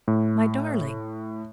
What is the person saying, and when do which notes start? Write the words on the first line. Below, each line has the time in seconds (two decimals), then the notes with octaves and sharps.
"My darling!"
0.08 A2